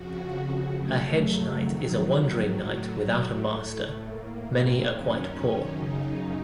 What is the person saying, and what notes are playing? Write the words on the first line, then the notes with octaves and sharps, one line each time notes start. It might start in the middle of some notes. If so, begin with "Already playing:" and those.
A Hedge Knight is a wandering knight without a master, many are quite poor.
Already playing: F2 C#3 F#4
F#2 C#3 A3
F#3
F2 D#3 F#3
A2 F#3
A2 A3
A2 A#3
C4
F#2 D#3 C#4
F#2 C#3 D#4